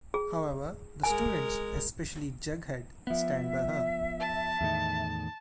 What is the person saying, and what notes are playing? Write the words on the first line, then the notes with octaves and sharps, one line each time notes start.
However, the students-especially Jughead-stand by her.
G#4
G#3 A#4 G#5
F3 B3 E5
A5
E2 A2 D#3